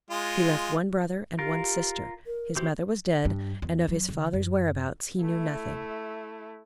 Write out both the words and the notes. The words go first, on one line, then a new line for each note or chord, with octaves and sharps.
He left one brother and one sister; his mother was dead, and of his father's whereabouts he knew nothing.
G#3 F4
F4 G4 A#4
A#4
E3 F#4 G4 C5
G2
E2
F#3
D3
F#2
A3 E4